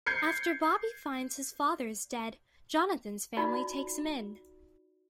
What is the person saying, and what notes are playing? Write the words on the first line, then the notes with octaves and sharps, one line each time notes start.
After Bobby finds his father is dead, Jonathan's family takes him in.
G6 G#6 C7 C#7
D#4 F4 F#4 D5